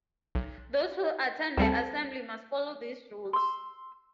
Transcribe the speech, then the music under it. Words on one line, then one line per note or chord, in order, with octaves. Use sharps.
Those who attend the assembly must follow these rules.
B1
D2 G3 C4 A4
C6 E6